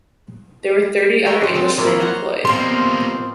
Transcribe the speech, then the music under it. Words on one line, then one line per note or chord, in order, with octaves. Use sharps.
There were thirty other Englishman employed.
A3 A#4 B4 C#5 F#5 G5
D4 C5
D3 G#3 C4 A5
F3 F#3 A#3 E4 F4
C5 C#5 F5 F#5 A#5
B2 F3 G3 A#3 C4 A#4 C6